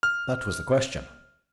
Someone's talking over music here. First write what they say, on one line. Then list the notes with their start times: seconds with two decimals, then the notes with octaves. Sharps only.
That was the question.
0.03 F6